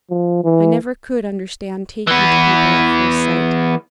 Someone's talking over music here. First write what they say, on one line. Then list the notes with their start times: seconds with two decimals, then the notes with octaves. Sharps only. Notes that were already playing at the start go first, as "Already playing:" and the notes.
"I never could understand taking to people at first sight!"
0.10 F3
0.44 E3
2.07 E3 B3